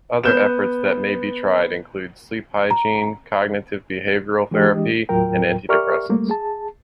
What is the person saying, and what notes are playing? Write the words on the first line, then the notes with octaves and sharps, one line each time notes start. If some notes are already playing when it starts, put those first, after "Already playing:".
Other efforts that may be tried include sleep hygiene, cognitive behavioral therapy, and antidepressants.
B3 G6 E7
A#5
E3 G#3 D4 G4 D#5
D#2 A2 F#3 F4 A#4 G5
G4 A#4 D5 E5 C#6 F6
G3 A3 A#3
G#4 A5